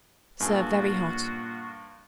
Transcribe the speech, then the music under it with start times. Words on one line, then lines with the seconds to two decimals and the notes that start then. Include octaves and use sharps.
Serve very hot.
0.40 G2 A#2 C#4 F4 F#4 G#4 A4